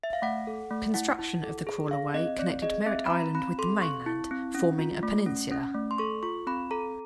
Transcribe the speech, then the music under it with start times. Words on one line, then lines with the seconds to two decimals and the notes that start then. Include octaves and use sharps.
Construction of the Crawlerway connected Merritt Island with the mainland, forming a peninsula.
0.03 E5
0.13 F5
0.22 A3 F#5
0.47 A4
0.71 A3
0.94 E4 F#5
1.19 E4
1.43 A4
1.67 G#4
1.91 G#4 F5
2.14 C4 D#5
2.39 C4 D5
2.62 G#4 D#5
2.86 C4 E5
3.06 B5
3.10 C4 A#5
3.35 C4 B5
3.59 A4 C6
3.82 C4 C#6
4.06 E4
4.31 C4
4.55 C#4
4.79 F4
5.03 A3
5.26 C#4
5.51 C#4
5.74 A3
5.91 C6
5.98 A4 C#6
6.23 F4 C#6
6.47 C4 B5
6.71 A4 A#5